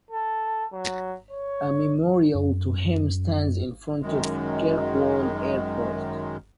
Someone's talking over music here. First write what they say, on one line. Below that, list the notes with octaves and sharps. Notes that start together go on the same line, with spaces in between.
A memorial to him stands in front of Kirkwall Airport.
A4
F#3
C#5
F#2
F#2 D#3 G#3